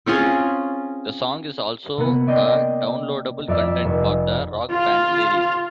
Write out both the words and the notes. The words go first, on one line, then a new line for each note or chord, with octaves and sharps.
The song is also a downloadable content for the "Rock Band" series.
C4 C#4 F4 G#4
C3 A#3 B3 B5
C#4 D5 D#5 G5 C6
F2 D5 E5 F6 B6
F1
F4 F5